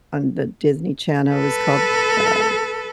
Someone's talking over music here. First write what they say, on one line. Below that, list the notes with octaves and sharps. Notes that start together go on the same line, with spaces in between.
on the Disney Channel, it was called, uh
A4 B4